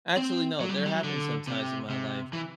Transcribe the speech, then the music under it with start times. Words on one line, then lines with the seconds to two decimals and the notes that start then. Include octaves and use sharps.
actually, no, there have been some times in my life
0.17 C4
0.60 F#3
0.69 G3
0.78 F#3
0.86 G3
0.93 F#3
1.04 D3
1.47 C3
1.90 C3
2.33 E3